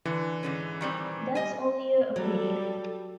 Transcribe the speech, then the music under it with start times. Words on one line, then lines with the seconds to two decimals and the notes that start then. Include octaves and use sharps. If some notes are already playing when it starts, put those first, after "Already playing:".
That's only your opinion.
0.05 D3 E3
0.43 G#2 D3 C#4
0.81 D#3 G3 C4
1.35 G3 D#5 G#5
2.16 F#3 G3 A4